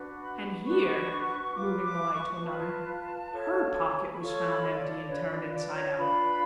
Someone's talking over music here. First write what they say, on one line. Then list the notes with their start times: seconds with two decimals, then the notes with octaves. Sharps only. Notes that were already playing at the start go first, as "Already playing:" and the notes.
And here,' moving the light to another, 'HER pocket was found empty, and turned inside out.
Already playing: D4 F#4 B4
0.21 B5
0.65 D4 F#4 B4 C#6
1.54 F4 B4 D6
1.83 D6
2.14 C#6
2.42 F4 B4 A5
2.51 B5
2.59 A5
3.31 F4 A4 C#5
3.99 G#5
4.06 A5
4.13 B5
4.20 F4 A4 C#5 C#6
4.50 B5
4.79 D5
5.08 D4 F4 B4 C#5
5.23 C#5
5.31 D5
5.53 D5
5.75 C#5
5.97 D4 F4 B4 B5